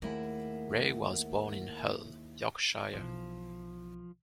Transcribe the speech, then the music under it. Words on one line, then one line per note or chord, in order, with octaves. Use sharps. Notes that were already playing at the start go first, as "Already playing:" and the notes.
Wray was born in Hull, Yorkshire.
D#2 A3 E4 G#4 A#4 F#5
B1 E3 F3